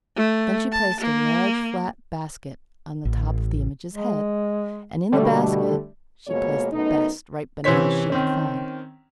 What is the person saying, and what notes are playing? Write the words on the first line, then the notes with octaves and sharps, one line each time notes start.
Then she placed a large flat basket on the top of the image's head and in the basket she placed the best ripe bananas she could find.
A3
A5
A#3
A1
G#3
B2 D3 G3 A3
F2 B2 G#3 A#3 C#5
F#2 A3 B3 D#4
C3 E3 C#4 C5 C#5 B6
D#3 C4 C#4